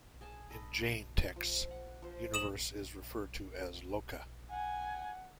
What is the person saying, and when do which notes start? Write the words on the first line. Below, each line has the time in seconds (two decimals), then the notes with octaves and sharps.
In Jain texts, universe is referred to as Loka.
0.21 G#4 G#5 A5
0.51 A4 D#5 B5
1.36 F3
1.71 F#5
2.02 F3 C5
2.34 C#5 D#5 D#6 E7 F#7
4.51 F#5 G#5